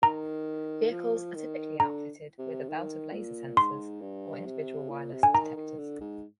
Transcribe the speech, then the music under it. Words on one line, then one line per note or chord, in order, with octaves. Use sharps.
Vehicles are typically outfitted with a belt of laser sensors or individual wireless detectors.
D#3 A#5
F3
D#3
D3 A#5
C3
D#3
A#2
G#2 C6
G2
C3
A#2
C3
D3 G#5
D#3 A#5
D#3
D3
G#2